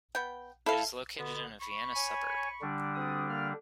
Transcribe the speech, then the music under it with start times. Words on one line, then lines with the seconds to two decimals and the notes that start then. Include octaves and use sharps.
It is located in a Vienna suburb.
0.15 B3 G5
0.66 E4 A4 F5
1.17 B2 D3 B3
1.61 B5 C#6
1.95 C#5 G#5
2.62 D3 G3 D4
2.95 D2 C4 D#6
3.28 A#3 F6